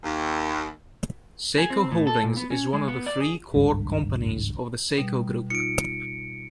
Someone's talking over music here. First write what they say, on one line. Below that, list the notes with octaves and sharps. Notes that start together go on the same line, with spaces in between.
Seiko Holdings is one of the three core companies of the Seiko Group.
D#2
G#4
C4
A2
A4
A#2
B3
C#4
G#3
B3
D5
G#4
G#1 C#2 G2
B2 G3
D#4 F4 C#7 D7